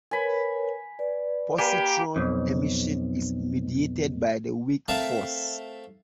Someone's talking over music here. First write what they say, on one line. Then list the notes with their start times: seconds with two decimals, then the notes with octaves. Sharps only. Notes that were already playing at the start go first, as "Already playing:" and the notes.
Positron emission is mediated by the weak force.
0.11 A#4 B4 C#5 G#5 B5
0.99 B4 D5
1.58 A#3 G4 G#5 B5
2.16 B1 F2
4.88 A3 C4 A#4 E5 F5 A5